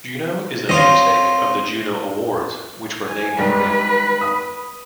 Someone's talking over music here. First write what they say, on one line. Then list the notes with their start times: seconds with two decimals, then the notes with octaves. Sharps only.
Juneau is the namesake of the Juno Awards, which were named for him.
0.69 C4 F4 C5 C#5 D#5
3.08 G#5
3.39 G#2 G3 B4
4.21 B5 D#6